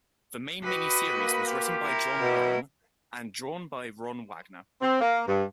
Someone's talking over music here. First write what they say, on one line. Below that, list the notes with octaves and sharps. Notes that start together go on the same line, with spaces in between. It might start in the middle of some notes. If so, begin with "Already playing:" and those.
The main mini-series was written by John Byrne and drawn by Ron Wagner.
F#4 G4 B4 D#5 B5
A#3
F4 G4
E4 A#4
B2
C4
A#3
G2